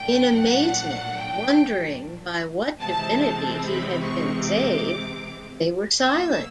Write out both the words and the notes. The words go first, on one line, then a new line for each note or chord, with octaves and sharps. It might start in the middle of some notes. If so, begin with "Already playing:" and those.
In amazement, wondering by what divinity he had been saved, they were silent.
Already playing: A#2 F#3 A3 D4 G5
F#5
G5
C3 E3 G#3 C4 A5
A5
B5
C#6
D6
B2 F#3 A#3 E6